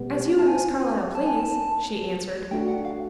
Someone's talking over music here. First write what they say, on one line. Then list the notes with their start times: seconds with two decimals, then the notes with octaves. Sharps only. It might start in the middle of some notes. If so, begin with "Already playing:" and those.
"As you and Miss Carlyle please," she answered.
Already playing: B2 G3 B3
0.39 A5
0.47 G#5
1.15 A5
1.26 G#5
1.36 A5
2.51 A3 D4 F#4 G5
2.68 F#5
2.85 F5